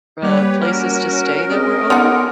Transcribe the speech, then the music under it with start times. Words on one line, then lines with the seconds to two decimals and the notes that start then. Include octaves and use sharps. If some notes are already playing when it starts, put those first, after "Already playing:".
uh, places to stay that were open?
0.23 G3 A#3 G4 B4 C#5 D5 F#5
0.60 C#4 F#4 A#4
1.50 C4 G#4 D#5
1.90 B3 D#4 A4 F#5 C6 D6